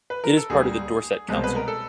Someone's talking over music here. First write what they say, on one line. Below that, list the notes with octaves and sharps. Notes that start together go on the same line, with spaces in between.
It is part of the Dorset Council.
B4
A#4
A4
D2 D3 G3 A#3 G#4
C2 B2 G#3 C5
B4
A#4
A4